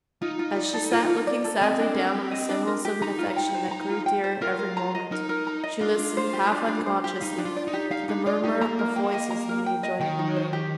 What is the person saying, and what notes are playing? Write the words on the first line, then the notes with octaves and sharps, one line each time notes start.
As she sat looking sadly down on the symbols of an affection that grew dearer every moment, she listened half unconsciously to the murmur of voices in the adjoining room.
D#4 F4
F4
D5
A4
F4
F4
D5
A4
C4 D#5
D4
A#4
G4
D#5
D4
A#4
G4
D#4 A#5
F4
G5
C5
A#5
F4
G5
C5
F4 A#4
A#4
A#5
D#5
D#4 A#4
A#4
A#5
D#5
D4 F4
D4
C5
G4
D4
D4
C5
G4
D#4 F5
D4
F4
D5
D#4
G4
D#4 F5
D4 D#4
F4 D5
D#4 G4
A#3 A#5
A#4
G5
D#5
A#5
A#4
G5
D#5
D#3 G5
D#4
C5
G4